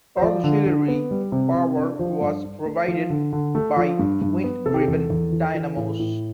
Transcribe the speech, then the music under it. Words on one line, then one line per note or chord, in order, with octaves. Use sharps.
Auxiliary power was provided by wind-driven dynamos.
C5
F3 D5
D3
D3
B3
G3
C3
C3
D4
F3 C5
G2
D4
A3
F3
D3
D3
A3
F3
G2
G2
B3
C3 A4
G4
A4
E2
E2
E3
E3
A2
A2